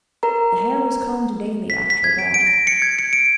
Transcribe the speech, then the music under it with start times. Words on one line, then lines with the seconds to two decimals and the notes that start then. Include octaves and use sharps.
The hair was combed daily after a bath.
0.23 A#4 A#5
1.70 B6
1.90 B6
2.04 G#6
2.19 D7
2.34 D7
2.46 A#6
2.67 C#7
2.82 G#6
2.99 C#7
3.13 D7